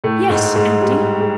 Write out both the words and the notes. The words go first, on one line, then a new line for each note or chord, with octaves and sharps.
'Yes, empty.
A2 A3
G#2 G#3
G#2 G#3
G3
G#3